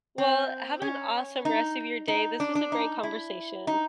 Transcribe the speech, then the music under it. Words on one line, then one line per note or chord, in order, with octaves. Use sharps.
well, have an awesome rest of your day, this was a great conversation.
C4
C#4
D#4
D#4
D4
D4
D#4
E4
D#4